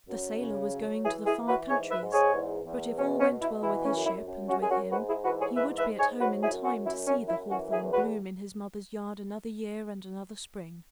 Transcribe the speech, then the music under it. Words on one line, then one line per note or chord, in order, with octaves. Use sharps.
The sailor was going to the far countries, but if all went well with his ship, and with him, he would be at home in time to see the hawthorn bloom in his mother's yard another year and another spring.
F#2
C#3
F#3
E3 E4 G#4
E4 G#4
E3
F#4 B4
G#2 G#4 C#5
B4 E5
G#2
G#4 C#5
E2
E2
B2 C#4
C#4
B2
E4
E3 E4
C#4
F#2
E4
F#2
C#4 F#4
F#2 G#4
C#4 F#4
G#2 F#4 B4
E4 G#4
E3 F#4 B4
G#4 C#5
G#2 B4 E5
B4 E5
G#2
G#4 C#5
F#3 F#4 B4
E4 G#4
F#2
C#4 F#4
F#2 E4
C#4
F#2
E4
E3 C#4 F#4
E4 G#4
E2
F#4 B4